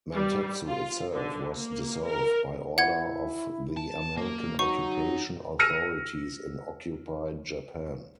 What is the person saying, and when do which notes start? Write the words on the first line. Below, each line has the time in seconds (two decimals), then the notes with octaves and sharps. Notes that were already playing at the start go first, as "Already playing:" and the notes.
"Mantetsu" itself was dissolved by order of the American occupation authorities in occupied Japan.
0.15 G3
0.67 F4
1.14 D3
1.54 A#3
2.05 A#4
2.78 E4 F#5 G#6
3.77 A5
4.17 A#3
4.59 F#3 D#4 C#6
5.59 E6 F6 A#6 C#7 D#7